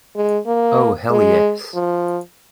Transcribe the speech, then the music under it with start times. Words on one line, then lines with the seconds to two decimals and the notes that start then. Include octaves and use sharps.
Oh hell yes.
0.16 G#3
0.47 A#3
1.10 G#3
1.74 F3